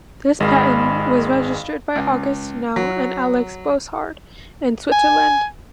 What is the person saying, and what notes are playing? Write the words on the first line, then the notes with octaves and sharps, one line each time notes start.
This patent was registered by August Schnell and Alex Bosshard in Switzerland.
G#1 G#3 D#5 F5 B5
C#2
F#3
G#5